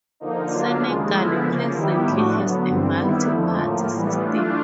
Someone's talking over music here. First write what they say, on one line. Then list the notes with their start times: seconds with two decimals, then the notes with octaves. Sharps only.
Senegal presently has a multi-party system.
0.20 D3 F3 A#3 D#4
0.51 D3 F#3 A#3 D4 F4
0.82 D#2 C#3 F3 G#3
1.13 D3 F3 G#3 B3 E4
1.44 C#3 F3 A#3
1.75 D#3 G3 B3 E4 G4
2.06 A2 F3 A3 D4 F#4
2.37 D3 F#3 B3
2.68 G2 D3 G3 C4
2.99 D#3 G3 B3 E4
3.29 F2 D3 F3 A3
3.61 A2 F3 A#3
3.92 A2 E3 G3 B3
4.22 E3 A3 D4 F4